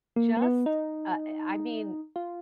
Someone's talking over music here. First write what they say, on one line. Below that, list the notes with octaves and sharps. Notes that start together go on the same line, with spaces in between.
just uh, I I mean,
A#3
A#3
B3
D#4
F4